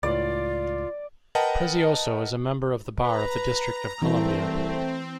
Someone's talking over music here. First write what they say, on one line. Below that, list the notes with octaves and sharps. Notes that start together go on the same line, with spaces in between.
Prezioso is a member of the Bar of the District of Columbia.
C#2 A2 F4 D5
A#4 B4 D#5 F#5 G5 A5
B4 A#5
C2 E3 A3 C4